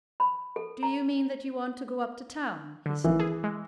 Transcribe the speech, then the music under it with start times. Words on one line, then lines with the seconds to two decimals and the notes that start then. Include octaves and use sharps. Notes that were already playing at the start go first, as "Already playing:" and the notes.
"Do you mean that you want to go up to town?" he said.
0.20 B5
0.56 A4
0.83 A#5
2.86 D3
3.04 G#1 E3
3.20 G#4
3.44 G#3